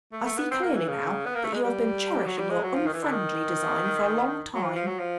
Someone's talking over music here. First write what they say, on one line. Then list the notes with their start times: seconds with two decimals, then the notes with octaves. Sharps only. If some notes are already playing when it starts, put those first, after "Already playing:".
I see clearly now that you have been cherishing your unfriendly design for a long time.
0.13 A3
0.25 A3
0.38 B3
0.51 C4
0.63 A#3
0.75 E3
0.88 C#3
1.26 B3
1.35 A#3
1.44 A3
1.54 G#3
1.63 G3
2.26 F#3
2.38 G3
2.50 G#3
2.63 F#3
2.75 F3
2.86 D#3
2.93 E3
3.03 D3
3.12 D#3
4.55 F#3
4.63 F3
4.76 F3
4.87 F#3
5.00 F3